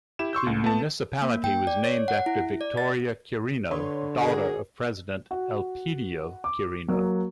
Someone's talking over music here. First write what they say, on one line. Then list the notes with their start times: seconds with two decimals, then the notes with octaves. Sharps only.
The municipality was named after Victoria Quirino, daughter of President Elpidio Quirino.
0.19 E4 G4 E7
0.33 C6 C#6 E6 G6
0.47 C#2
0.64 A3 B3 A5
1.22 A#3
1.44 G5
1.67 D5
1.84 C#5
2.08 F#5
2.26 E4
2.61 D5
2.77 A6
3.71 D3 B4 C#5 C6
4.21 F#4 G#4 A#4
5.31 F#4
6.44 D6
6.88 F#3 A#3